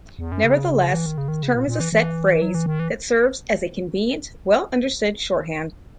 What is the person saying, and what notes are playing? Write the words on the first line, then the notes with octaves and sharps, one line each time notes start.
Nevertheless, the term is a set phrase that serves as a convenient, well-understood shorthand.
E2
F#2
C#3
E3
D#3
C#3
D#3
C#3
A#2
A#2
E3
E3
F#3
E3
D#3
E3